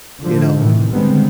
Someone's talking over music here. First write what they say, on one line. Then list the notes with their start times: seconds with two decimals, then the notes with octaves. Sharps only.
you know
0.21 D3 F3
0.58 A2 C3 D#3 E3
0.91 D3 D#3 G3 G#3 B3 C4